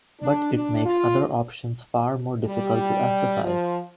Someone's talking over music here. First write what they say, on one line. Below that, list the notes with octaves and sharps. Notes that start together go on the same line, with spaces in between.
But it makes other options far more difficult to exercise.
D4
D4
F4
G3
F3